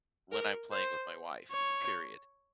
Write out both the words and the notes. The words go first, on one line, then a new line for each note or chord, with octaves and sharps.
when I'm playing with my wife, period.
A#4
C5
C#5